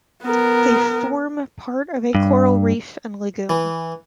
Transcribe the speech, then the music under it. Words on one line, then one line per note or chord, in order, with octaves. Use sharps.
They form part of a coral reef and lagoon.
B3 A#4
G2
E3